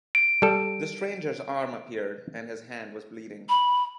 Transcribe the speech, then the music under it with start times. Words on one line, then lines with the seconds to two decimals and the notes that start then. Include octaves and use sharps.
The stranger’s arm appeared, and his hand was bleeding.
0.15 D7
0.42 G3 A4
3.49 B5